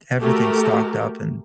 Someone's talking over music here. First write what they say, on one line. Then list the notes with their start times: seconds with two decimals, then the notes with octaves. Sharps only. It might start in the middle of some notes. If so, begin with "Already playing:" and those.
everything stocked up and,
0.20 A3 F#4 G4 A4 A#4